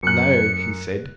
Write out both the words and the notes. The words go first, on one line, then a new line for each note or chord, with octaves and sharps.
"No," he said.
F#2 F#6 C#7